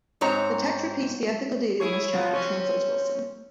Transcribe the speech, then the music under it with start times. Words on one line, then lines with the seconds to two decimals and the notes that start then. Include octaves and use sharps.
The text repeats the ethical duties in this chapter, translates Wilson.
0.21 G#2 C4 C#5 A#5
1.80 E4 G#4 C#5
2.13 C3 F3 B3
2.33 C4 C#4